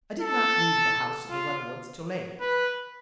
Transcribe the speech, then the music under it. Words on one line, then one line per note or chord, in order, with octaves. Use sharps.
I did not leave the house of the Weatherwoods till late.
A4
F4
B4